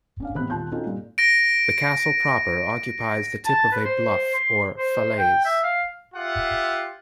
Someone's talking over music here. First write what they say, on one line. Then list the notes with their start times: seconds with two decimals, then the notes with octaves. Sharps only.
The castle proper occupies the tip of a bluff or "falaise".
0.20 C#4 D4 F5
0.35 A1 C3 B3 G4 B5 F#6
0.50 D#1 F4 A5 C6 G6
0.72 C4 C#4 D#4 F4 F#4 A4
0.86 G2 A#2
1.18 A#6 D7
3.46 A5
3.72 B4
3.85 C5
4.34 C6
4.78 C5
5.19 G5
5.45 E5
5.63 F5
6.15 F4 G4 E5 F#5